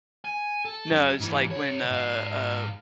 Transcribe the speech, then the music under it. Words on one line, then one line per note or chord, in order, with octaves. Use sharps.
No, it's, like, when, uh, uh
G#5
A4
F#3 C#4
G#2 E3
C2 C#5
G#2 F5